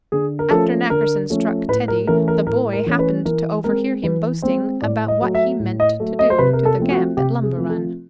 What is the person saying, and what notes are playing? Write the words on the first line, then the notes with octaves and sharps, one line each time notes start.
"After Nackerson struck Teddy the boy happened to overhear him boasting about what he meant to do to the camp at Lumber Run."
D3 G#4
A#4
F3 A3 C#4 A4
D3 A#4
F3 A3 C#4
A2 B4
A#4
E3 A3 C#4 A#4
A#4
A2 A#4
A#4
E3 A3 C#4
B4
E3 A#4
G#3 C4 A#4
E3 B4
G#3 C4 C5
A2 D5
D#5
F#3 A3
E5
A2
D#5
F#3 A3
D#5
C5
C3 B4
A#4
A4
F3 A3 C4
F#4
C3 G4
G#4
F3 A3 C4
A4